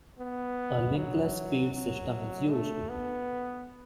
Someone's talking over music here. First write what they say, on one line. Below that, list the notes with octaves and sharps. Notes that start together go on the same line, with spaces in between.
A linkless feed system is used.
B3
F#3
F#3
A3
B3